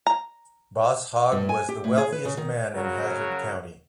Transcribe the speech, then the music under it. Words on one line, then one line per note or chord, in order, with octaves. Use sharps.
"Boss" Hogg was the wealthiest man in Hazzard County.
A#5
G2
G#5
G4
A2
G#4
B4
C#3
D#3
C#3 F#3 F#4 A#4